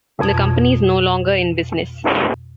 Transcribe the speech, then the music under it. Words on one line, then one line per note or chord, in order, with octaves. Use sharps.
The company is no longer in business.
F2 B2 G#6